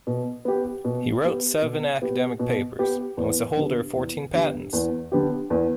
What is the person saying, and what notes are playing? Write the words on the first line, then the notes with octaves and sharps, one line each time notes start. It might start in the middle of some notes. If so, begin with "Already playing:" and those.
He wrote seven academic papers and was the holder of fourteen patents.
B2
B3 G4
B2
B3 G4
B2
B3 G4
B2
B3 G4
E2
D3 B3 G4
E2
D3 B3 G4
E2
D3 B3 G4
E2